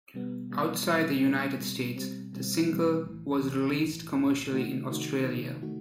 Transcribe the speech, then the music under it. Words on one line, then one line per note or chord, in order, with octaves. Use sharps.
Outside the United States, the single was released commercially in Australia.
B2 G3 B3
B2 G3 B3
B2 G3 B3
B2 G3 B3
B2 G3 C4
B2 G3 C4
B2 G3 C4
B2 G3 C4
B1 A2 E3
B1 A2 E3
B1 A2 E3
B1 A2 E3
C3 D#3 A3 D#4 F#4
C3 D#3 A3 D#4 F#4
C3 D#3 A3 D#4 F#4
C3 D#3 A3 D#4 F#4